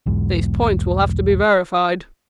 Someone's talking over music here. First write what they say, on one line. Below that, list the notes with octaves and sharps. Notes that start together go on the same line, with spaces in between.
"These points will have to be verified."
B1 E2 G#2